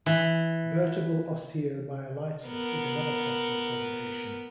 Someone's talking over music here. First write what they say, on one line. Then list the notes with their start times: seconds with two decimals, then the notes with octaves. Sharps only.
Vertebral osteomyelitis is another possible presentation.
0.06 E3
2.46 B3 A#4